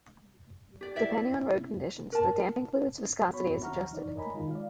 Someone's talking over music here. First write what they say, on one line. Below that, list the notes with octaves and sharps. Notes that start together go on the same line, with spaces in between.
Depending on road conditions, the damping fluid's viscosity is adjusted.
G4 D5
E4 D5 E5
A#4 A5
E2 B3 F#4 C#5 B5 C#6
D#2 E5 F#5 A#5 C#6 F6
E3 D#4 D5
A#4 C#5 D#5 G#5 A#5 B5
D#3 G#3 D#4 F4
D5 F5